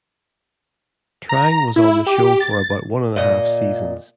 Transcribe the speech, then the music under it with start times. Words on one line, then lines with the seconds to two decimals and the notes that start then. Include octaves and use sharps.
Trang was on the show for about one and a half seasons.
1.29 A#5
1.76 E4
2.06 G4
2.40 A6
3.16 A#2 D#5